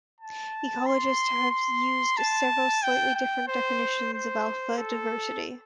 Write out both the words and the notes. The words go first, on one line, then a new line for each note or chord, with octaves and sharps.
Ecologists have used several slightly different definitions of alpha diversity.
A5
C6
C6
A5
G5
G5
C5
C5
A4